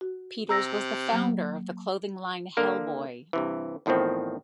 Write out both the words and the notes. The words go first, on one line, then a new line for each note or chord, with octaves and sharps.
Peters was the founder of the clothing line Hellboy.
F#4
C3 A#5 E6 A#6
F#3 A#3
D3 A#3 A#4
G2 C3 E3
E2 A2 D#3 F3 C4